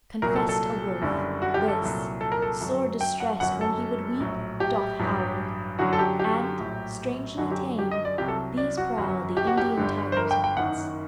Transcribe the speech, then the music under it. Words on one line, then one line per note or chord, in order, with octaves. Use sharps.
Confessed A wolf, this, sore distressed When he would weep, doth howl; And, strangely tame, these prowl The Indian tiger's mates.
C2 A#2 F#3 A#4
A4
A4
F#1 F#2 D3 G3
F#4
G4
A4
C2 A#2 F#3
A4
A#4
A4
G1 F#2 F#3
G5
F#5
G1 F#2 F#3 F#5
A4
A#1 A2 F#3
G4
A1 G2 F#3
F#2 D3 F#3 F#4
A4
G4
G4
A#1 A2 F#3
F#2 D3 F#3 F#4
G4
G4
D#5
D5
C2 C3 F#3 G4
A4
D5
F#4
G1 F#2 F#3
G4
F#4
G4
G1 G2 D3
C5
A#4
G5
G5
F#1 F#2 D#3 F#5